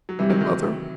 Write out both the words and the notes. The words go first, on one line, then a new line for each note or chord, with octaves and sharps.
"And mother?"
F#3
C3 E3 G3
D#3 F#3
D#3 F#3